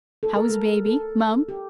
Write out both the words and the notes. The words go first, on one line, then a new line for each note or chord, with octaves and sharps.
How's Baby, mum?
A4
A#4
A4
A4
G4